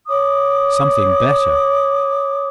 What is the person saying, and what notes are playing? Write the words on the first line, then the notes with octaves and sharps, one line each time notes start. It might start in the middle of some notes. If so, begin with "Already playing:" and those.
Something better!
C#5 D6 D#6